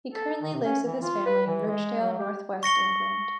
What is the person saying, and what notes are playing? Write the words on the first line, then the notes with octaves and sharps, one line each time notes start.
He currently lives with his family in Rochdale, North West England.
A4
D#3
C3
C#4
E3
F4
B4
E3
G#3
F#3
G4
C#6 A#6 C#7 G7